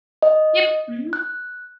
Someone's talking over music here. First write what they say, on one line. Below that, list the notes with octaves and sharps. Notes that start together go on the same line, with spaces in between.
Yep, mhm.
D#5
F#6